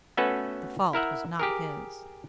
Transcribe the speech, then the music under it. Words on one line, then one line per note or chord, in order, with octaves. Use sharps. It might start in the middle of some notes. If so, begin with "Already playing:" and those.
The fault was not his.
A3 B3 C#4 F#4 A4 B4
E4 A#4 E5 F#5
G4 G#4 A#4